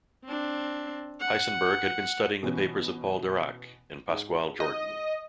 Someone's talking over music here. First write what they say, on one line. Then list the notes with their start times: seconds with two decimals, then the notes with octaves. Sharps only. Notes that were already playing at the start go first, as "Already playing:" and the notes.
Heisenberg had been studying the papers of Paul Dirac and Pascual Jordan.
0.24 C4 D4
1.20 F#5
2.43 B2 E3 C#4
4.08 G#2
4.60 D#5